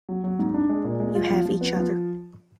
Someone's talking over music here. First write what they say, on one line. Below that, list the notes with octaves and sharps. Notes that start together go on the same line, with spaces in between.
You have each other.
F#3
F#3
G#2
D4
G#3
A#2
G#3
F4
F3
F3
B3
F3